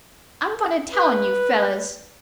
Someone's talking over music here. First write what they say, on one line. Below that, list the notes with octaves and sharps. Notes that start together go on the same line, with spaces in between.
"I'm going to tell on you fellows!"
B4